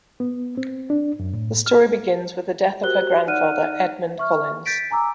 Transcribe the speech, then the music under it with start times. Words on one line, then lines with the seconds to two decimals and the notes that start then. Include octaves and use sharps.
The story begins with the death of her grandfather, Edmund Collins.
0.20 B3
0.57 C4
0.90 D4
1.19 F#2
1.33 A2
1.66 F6
2.83 F#4 G4 A#4 C5 F#6 G7
3.27 D#4 D5 F#5 F6 F#6 D#7
4.18 E5 C#6 F6
4.66 G6 A6 B6 D7
4.91 G#5 A#5 D6 E6